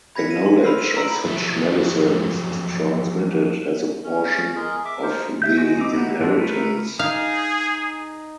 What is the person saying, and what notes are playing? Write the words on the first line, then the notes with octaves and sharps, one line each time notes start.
The knowledge of such medicines is transmitted as a portion of the inheritance.
B5 G#6 A#6 B6 C#7
D#7
C6
B5 C6 E6 F6 C7
D#7
A#5 E6 D7 F#7
F3 F#3 A4 E5
C#4
G#3 G#4 A#4
E5 D6
D#4 A#4 C5
E5 G6
G#3 F#4
C4 D#4 E4 D6
D#4 E4 F#4 G4
E3 F3 G#3 C4 D4
A3 A#4 B4
D#4 G#4 F5